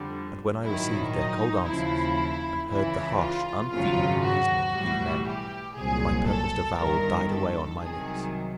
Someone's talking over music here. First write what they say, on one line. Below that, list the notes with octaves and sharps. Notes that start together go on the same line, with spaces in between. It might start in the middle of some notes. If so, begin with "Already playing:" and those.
And when I received their cold answers and heard the harsh, unfeeling reasoning of these men, my purposed avowal died away on my lips.
Already playing: F2 D3 G3
A#1 G#2 D#3 F#3 E4
D#4
D#2 C#3 F3 E4
C#2 C#3 E3 E4
F4
G#1 F#2 C#3 F#3 F4
F#4
B1 A2 E3 G3
G4
C2 A#2 F#3 G#4
A4
G1 G2 D#3 A#4
A4
C2 C3 D#3 F#3 G#4